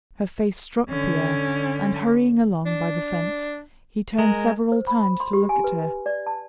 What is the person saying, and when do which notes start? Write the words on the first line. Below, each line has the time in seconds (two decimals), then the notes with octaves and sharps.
Her face struck Pierre and, hurrying along by the fence, he turned several times to look at her.
0.89 D3 C#4
2.66 D4
4.19 G#3 A#4
4.72 C5
4.87 B5
5.03 B5
5.20 C6
5.33 G4
5.49 G#5
5.64 B4
6.06 D5
6.27 A5